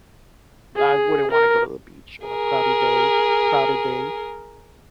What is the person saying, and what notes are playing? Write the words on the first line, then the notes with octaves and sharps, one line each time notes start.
I wouldn't wanna go to the beach on a crowdy day crowded day,
G#4
A#4
G#4 A#4